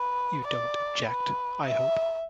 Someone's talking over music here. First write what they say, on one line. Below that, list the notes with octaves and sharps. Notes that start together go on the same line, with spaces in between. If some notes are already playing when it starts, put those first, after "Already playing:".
You don't object, I hope?
Already playing: B4
D5
B4
E5